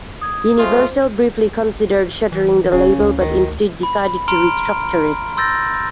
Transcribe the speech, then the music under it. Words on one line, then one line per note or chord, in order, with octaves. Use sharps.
Universal briefly considered shuttering the label, but instead decided to restructure it.
D#6 G#6
G#3 A3 C4 F4 C5
E3
E1 C#3
D2
D#3
B5
A#5 C6 F6 D7
C6 E6 G6 A6 A#6